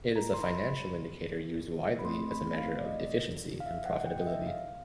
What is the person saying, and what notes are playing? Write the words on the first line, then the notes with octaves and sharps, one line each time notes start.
It is a financial indicator used widely as a measure of efficiency and profitability.
A#5
C6
B5
B5
A3 C4 E4 C6
B5
F5
D5
D#5
F5
E5
F#5
F#5
G5
D#5
E5
F5